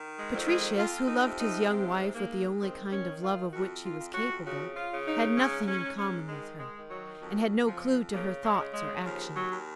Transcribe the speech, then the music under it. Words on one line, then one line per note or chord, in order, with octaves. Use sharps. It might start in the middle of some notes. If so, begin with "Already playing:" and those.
Patricius, who loved his young wife with the only kind of love of which he was capable, had nothing in common with her, and had no clue to her thoughts or actions.
Already playing: D#3
G#3
F2
G#3
F2 F4
D#4
C3
D#4
G#2 C4
G#2 A#3
D#3 C4
C#4
D#3
F4
F2 F#4
F4
F2
F#4
C#3 F#4
F4
C#3
D#4
G#2 C#4
C#4
G#2
C#4
D#3 G#3
G#3
D#3
F#3
F2 F#3
F2 F3
C#3 A#3
G#3
C#3
G#3
D#2 F3
F#3
D#2